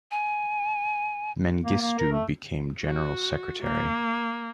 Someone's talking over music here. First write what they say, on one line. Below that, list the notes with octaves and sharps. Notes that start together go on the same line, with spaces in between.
Mengistu became general secretary.
G#5
A#3
A#3
A#4
A3
F#4
A#3